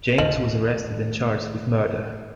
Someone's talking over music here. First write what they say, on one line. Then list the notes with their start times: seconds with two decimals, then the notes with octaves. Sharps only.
James was arrested and charged with murder.
0.18 D#2 A2 F3 D#5 F#7